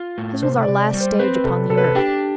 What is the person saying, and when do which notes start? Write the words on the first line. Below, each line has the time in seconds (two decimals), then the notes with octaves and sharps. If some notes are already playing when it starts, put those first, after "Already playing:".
This was our last stage upon the earth.
Already playing: F4
0.18 A2
0.42 C3 C5
0.62 D5
0.68 C3
0.94 G3
1.00 C5
1.19 C4 B4
1.35 B4
1.44 C3 A4
1.70 C3 A4
1.77 B4
1.84 A4
1.95 D4 G4